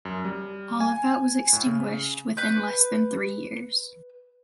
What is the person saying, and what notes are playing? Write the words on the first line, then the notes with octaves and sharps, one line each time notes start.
All of that was extinguished within less than three years.
F#2
G3
G#5
A2
C#3
B4 G6